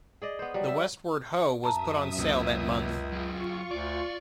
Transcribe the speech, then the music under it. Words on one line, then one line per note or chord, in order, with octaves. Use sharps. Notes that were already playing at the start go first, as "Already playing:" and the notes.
The Westward Ho was put on sale that month.
G#4 D5 D#5
B3 C5
F#3 G3
E5
F#2 E5 A5 A#5 D#6
C#2 C3 A#3
F#3 F4 G#4 C#6
D2 D5